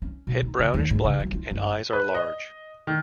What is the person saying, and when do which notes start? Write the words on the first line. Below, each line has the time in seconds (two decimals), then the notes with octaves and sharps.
Head brownish black and eyes are large.
0.02 C#4
0.27 B2
0.42 D#4
0.59 C#3
0.74 D#2
0.90 G#2
1.04 C#3
1.20 F#3
1.33 F4
1.51 G1
1.93 B4
2.15 D#5
2.87 D#3